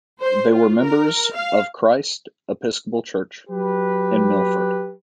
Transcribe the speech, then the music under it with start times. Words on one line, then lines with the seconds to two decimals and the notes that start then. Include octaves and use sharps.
They were members of Christ Episcopal Church in Milford.
0.21 C5
0.52 F4
0.84 A#4
1.35 F5
3.50 F#3 G4 B4